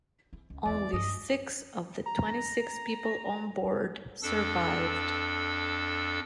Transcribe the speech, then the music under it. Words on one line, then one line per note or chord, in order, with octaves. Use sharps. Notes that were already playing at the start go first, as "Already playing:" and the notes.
Only six of the twenty-six people on board survived.
E4
C#2
E2 C4 D5
G2 D#5
A#5
F2 D4 A4 E6